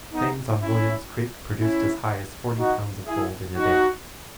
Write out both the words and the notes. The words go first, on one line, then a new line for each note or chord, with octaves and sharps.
Claims on William's Creek produced as high as forty pounds of gold in a day.
B3 D#4
C#4 E4
C#4 E4
D#4 F#4
E4 G#4
D#4 F#4